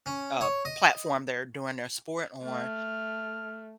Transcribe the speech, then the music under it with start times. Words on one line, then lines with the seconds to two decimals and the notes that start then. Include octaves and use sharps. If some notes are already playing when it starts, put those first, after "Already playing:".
uh, platform they're doing their sport on.
0.06 C#4
0.41 C#5
0.65 D#5
2.44 A3 F6